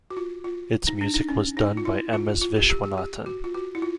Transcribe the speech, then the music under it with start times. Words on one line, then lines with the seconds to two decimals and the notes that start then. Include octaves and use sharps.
Its music was done by M. S. Viswanathan.
0.10 F#4
0.17 F4
0.44 F4
0.87 D#4
1.01 D4
1.14 D#4
1.29 C#4
1.57 D#4
1.77 F4
1.85 E4
2.13 F4
2.41 F4
2.56 G4
2.70 G4
2.84 G4
2.98 G4
3.26 F#4
3.44 F4
3.54 F#4
3.75 E4
3.82 F4